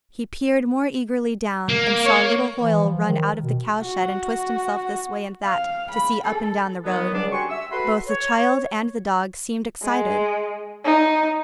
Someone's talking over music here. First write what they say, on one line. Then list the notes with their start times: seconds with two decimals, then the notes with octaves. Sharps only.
He peered more eagerly down, and saw little Hoyle run out of the cow shed and twist himself this way and that to see up and down the road. Both the child and the dog seemed excited.
1.69 A#3
2.05 C#5
2.59 E3
2.82 F3
3.07 D#3
3.43 B2
3.82 F#4
5.44 F5
5.90 B5
6.25 A4
6.85 D#3 F#3 B3
7.14 C#2 G3 D4
7.32 F#4 G4 G#5 C6 C#6
7.50 E5 E6
7.71 F#4 A4 B4 B5 C6
8.06 C#5
9.83 G#3
10.84 D#4